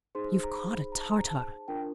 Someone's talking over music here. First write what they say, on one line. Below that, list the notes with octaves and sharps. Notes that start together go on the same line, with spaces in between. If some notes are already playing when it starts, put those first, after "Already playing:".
'You've caught a Tartar.'
D#4 G#4 C5 C6
A#5
B5
A#5
A5
A#5
A5
D4 F4 A#4 G5